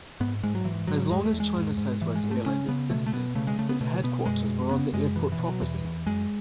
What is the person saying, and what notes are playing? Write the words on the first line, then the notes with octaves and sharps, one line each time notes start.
As long as China Southwest Airlines existed, its headquarters were on the airport property.
G#2 B3
G#2 G#3
F#3
G#2 E3
G#2 F#3
E2 G#3
A3
E2
G#3
G#2
G#2
G#2 E3
G#3
G#2
A3
C#3 C#4
C#3 B3
B2 A3
A3
B2 B3
C#3 A3
G#3
C#3 A3
B3
B2 A3
B2 B3
F#2 G#3
F#2
C#3 B3
F#2 G#3
B2 E3
E3
B2
F#3
E2 E3
E2
F#2 G#3